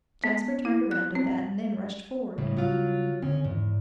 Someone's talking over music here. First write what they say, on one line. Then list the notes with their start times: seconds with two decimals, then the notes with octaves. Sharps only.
Jasper turned around at that--and then rushed forward.
0.24 B3
0.65 E4
0.91 F#6
1.15 C4
2.38 A2 C#3 G3
2.57 F#3 F4
3.22 D3 D#3 C4 C#4
3.44 E2 G#2